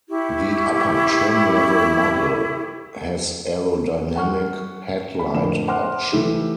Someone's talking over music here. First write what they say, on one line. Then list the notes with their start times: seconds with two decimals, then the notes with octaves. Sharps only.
The upper trim level model has aerodynamic headlight option.
0.09 E4 G4 C#6
4.16 F#5 C#6 F6
5.19 B5
5.34 F2 A2 D3 A#4 E7
5.67 C5 E5 F#5 C6 D6 F6
6.12 E3 A3 E4 G4